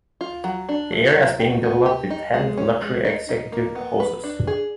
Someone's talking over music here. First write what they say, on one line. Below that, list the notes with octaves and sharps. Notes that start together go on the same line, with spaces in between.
The area is being developed with ten luxury executive houses.
F4
F#3
D4
E4
F#3
G4
B3
G4
D#4
G#3
C#4
G#3
D#4
D#4
A#3
B3
B4
D4
G#4